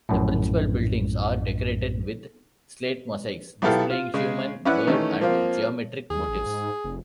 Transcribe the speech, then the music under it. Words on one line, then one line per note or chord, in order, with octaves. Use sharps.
The principal buildings are decorated with slate mosaics displaying human, bird and geometric motifs.
A#1 F#2 A2
B1 B3 E4 G4 A4 F5
F4
C#3 G#3
C#4 E4 B4 D5 E5 F#5
D#3 E3 A3 C#4 D#4
F3 A#3 C4 F4
D#2 G#4
A1
G#2
F1